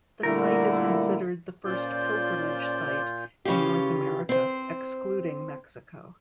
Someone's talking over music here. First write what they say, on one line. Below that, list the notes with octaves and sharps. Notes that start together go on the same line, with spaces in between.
The site is considered the first pilgrimage site in North America, excluding Mexico.
A#2 D3 G3 A3 E4 A#4
A#2 C#4 F4 C5 D5 G6
C#3 E3 C#4 F4 G4
C4 C5